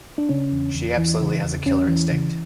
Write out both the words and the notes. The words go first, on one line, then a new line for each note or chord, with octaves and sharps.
She absolutely has a killer instinct.
D4
C#3 C#4
E2
E2
E3
C#3
E2
E2 C#4
E3
C#3